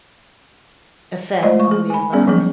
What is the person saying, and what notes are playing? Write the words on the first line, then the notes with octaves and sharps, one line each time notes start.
effect on the environment,
G#3 A3 F4 C5 D5 D#5
G#3 C#6
G#4
G#5 B5
G3 B3 C#4 G#4 D5
F3 F#3 A#3 G#4